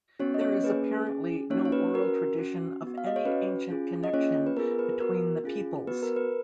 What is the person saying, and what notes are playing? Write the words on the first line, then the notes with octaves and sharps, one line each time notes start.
There is apparently no oral tradition of any ancient connection between the peoples.
B3 C#4 F#4 C#5
D#5
C#4 C#5
A#3 C#4 G#4 B4
C#4 G#4
A#3 C#4 D#4 F#4 C#5
C#5
B4
C#4 F#4 A#4
C#4 F#4
B3 F#4
F5
D#5
C#5
C#4 F#4 B4
C#4 F4 G#4
D#5
A#3 C#4 F4 G#4 C#5
B4
B3 F4 G#4 A#4
B4
B3 F#4 A#4
C#4 F4 G#4
B3 F#4 B4
A#4
B4